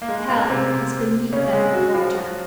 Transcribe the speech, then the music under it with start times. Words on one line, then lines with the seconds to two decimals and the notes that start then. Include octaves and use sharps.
Hell is beneath them in the water!
0.02 A#3
0.08 G#3
0.29 A#2 A#3
0.49 C3 C4
1.32 C#3 C#4
1.53 G#3 G#4
1.73 F#3 F#4
1.94 F3 F4
2.15 F#3 F#4